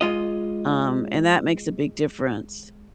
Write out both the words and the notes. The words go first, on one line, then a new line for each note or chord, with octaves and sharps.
um, and that makes a big difference,
G#3 F4 D#5